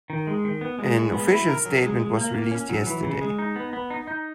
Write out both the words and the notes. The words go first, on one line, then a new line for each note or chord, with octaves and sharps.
An official statement was released yesterday.
D#3
G#3
D#3
B3
G#3
G#3
B3
E4
A#4
F#3
G#3
G#3
A#3
A#3
C#4
F#3
E3
C#3
G#3
D#4
B3
B3
D#4
D#4